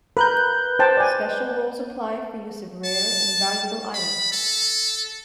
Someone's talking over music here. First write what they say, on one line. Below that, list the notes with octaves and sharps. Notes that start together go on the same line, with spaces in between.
Special rules apply for use of rare and valuable items.
A#4 B4 F#6 G6
C5 G5 A5
D5 G5 G#5
A5
B5
A4